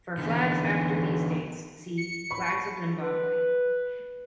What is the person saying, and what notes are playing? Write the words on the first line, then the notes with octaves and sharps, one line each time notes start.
For flags after these dates see Flags of Zimbabwe.
D3 E3 B3
C#7
B5 C#6
B4